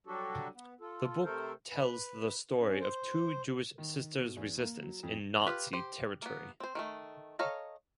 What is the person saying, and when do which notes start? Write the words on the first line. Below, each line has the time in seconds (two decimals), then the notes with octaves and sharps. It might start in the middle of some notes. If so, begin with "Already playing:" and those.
The book tells the story of two Jewish sisters’ resistance in Nazi territory.
0.07 F#3 G3 D4 F#4 G4 A4
0.54 B3
0.81 F4 A4
1.24 C3 A3 A4 A#4 C5
1.70 B4
2.58 C#4
2.81 C5
3.78 D#3
4.19 B2
4.37 E2
4.59 A#3
4.83 F#3
5.03 F2
5.47 F4 G4 B4
5.73 G4 C5
6.22 A#3 B3
6.60 C4 C5
6.75 D#3 G#3 A3
7.39 A4 C#5 D#5 F5 A#5